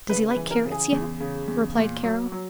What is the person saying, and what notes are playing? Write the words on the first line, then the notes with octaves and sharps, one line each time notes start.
"Does he like carrots yet?" replied Carol.
C#3 B4
B4
E3
A#4
C#3
G#4
E2
C#3
E2
A#2
F#3
F#3